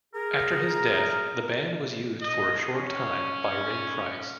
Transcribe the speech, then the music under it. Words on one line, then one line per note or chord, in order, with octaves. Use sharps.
After his death, the band was used for a short time by Ray Price.
G#4 A#4
D#5
C#4